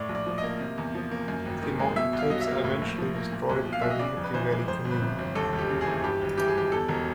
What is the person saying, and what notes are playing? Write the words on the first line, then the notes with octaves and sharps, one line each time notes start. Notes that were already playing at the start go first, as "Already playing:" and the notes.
The Mountain Tapes are eventually destroyed by the Happy Valley commune.
Already playing: A2 D5
A#1
D5
F3
D#5
A#3
C3
E2
F3
A#3
F#2
G#1
D#3
G#3
B2 E5
C2
F5
F#3 D#5
E5
A#3
A2
A#1
F3
A#3
A#2
B1
F3
F5
B1 E5
D#5
C#3 D5
F2
B4
E3 C5
G#3
F2 C5
G1
B4
C3
G1
D#2 A4
E1
G4
C#3
G#4
E3
G2 G4
G#1
E3 G4
G#4
G#1 G4
E2 A4
E1 A#4